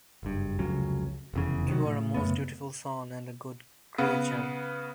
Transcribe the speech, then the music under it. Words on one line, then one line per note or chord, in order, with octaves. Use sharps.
You are a most dutiful son and a good creature.
F#1 G2
F1 C#2 C#3 F#3
F1 E2 C#3
C3 D#3 F3 F#3
A2
F#2 C#3 A3 B3
C#3 B3